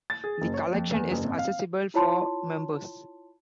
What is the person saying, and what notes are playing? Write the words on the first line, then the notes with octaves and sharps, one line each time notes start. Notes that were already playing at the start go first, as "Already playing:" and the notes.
The collection is accessible for members.
A6
G#4
F#1
C#5
F2
E2
F#1
G#1
F5
E4 F4 C#5 A5 B5 C6